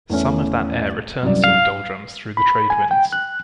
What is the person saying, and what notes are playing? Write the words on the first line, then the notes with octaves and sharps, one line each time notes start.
Some of that air returns to the doldrums through the trade winds.
E2 A3 C#4
C2 F#2 D5
F5
B5
G#5
G5
F#6